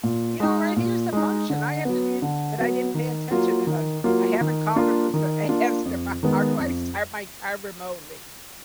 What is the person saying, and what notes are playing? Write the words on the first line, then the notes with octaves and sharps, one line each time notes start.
"You know, right here is the function I have to do" but I didn't pay attention, and I'm I haven't called him to sa ask him, how do I start my car remotely?
A#2
G#3 D#4
A#2
G#3 D#4
D3
F#3 B3
D3
F#3 B3
D#3
F#3 A#3 F4
D#3
F#3 A#3 F4
D#3
A#3 D4 F4
D#3
A#3 D4 F4
F2
D#3 G#3 B3
F2